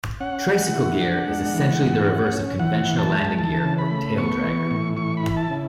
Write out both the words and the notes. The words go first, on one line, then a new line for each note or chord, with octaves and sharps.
Tricycle gear is essentially the reverse of conventional landing gear or "taildragger".
C#4 F#5
G#3
E4
D4
G#3
E3
G#3
C#4
C#4
E3 F#5
E3
A5
G#3
E3 A5
C#3
B5
A3
B3 C#6
E3
A2
E3 C#6
B5
E4
A5
C#3